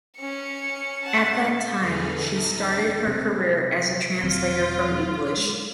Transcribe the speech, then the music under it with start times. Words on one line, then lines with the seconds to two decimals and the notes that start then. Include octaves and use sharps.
At that time, she started her career as a translator from English.
0.17 C#4 C#7
1.04 F#5 A5
1.79 E2 D3 G#4 A4 B4 F6
2.17 D#4 E5 A5 A#6
2.57 D#2 D4 D6
3.07 C3
4.23 E1 D#3 C4 F4
5.37 G#3